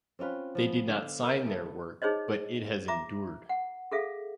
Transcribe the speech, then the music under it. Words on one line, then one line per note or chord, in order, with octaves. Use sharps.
They did not sign their work, but it has endured.
C4 C#4 F4 B4
F3 B3
D3 E5 F5
A#4
A3 B3
D#4 G#4 C5 C#5 D#5
E5 A#5 D6
F#5
G#4 A4 E5 F5